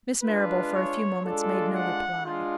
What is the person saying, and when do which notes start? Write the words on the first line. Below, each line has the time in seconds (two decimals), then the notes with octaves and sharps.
Miss Marrable for a few moments made no reply.
0.23 G#3 D4 F4 B4
0.73 C#5
1.24 G#3 D4 F4 A4
1.75 F#5
2.25 G#3 D4 F4